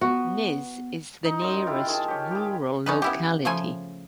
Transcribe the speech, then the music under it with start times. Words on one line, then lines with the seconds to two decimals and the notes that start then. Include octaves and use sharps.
Niz is the nearest rural locality.
0.01 B3 F#4
1.24 D#4
1.40 F#2 D#5 C6
1.66 E4 F4 G4
1.87 D#3 G#4 A5
2.08 G4 C#5
2.31 G4 G#4
2.86 C#4 D#4 B4
3.02 B3 E4 G4
3.45 C#3 F3 A3 G#5